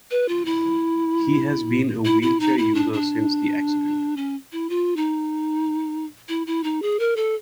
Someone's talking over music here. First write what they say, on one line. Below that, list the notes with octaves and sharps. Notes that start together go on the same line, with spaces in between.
He has been a wheelchair user since the accident.
B4
F4
E4
E4
E4
D#4
E4
D4
D4
C#4
E4
F4
D#4
E4
E4
D#4
G#4
A#4
A4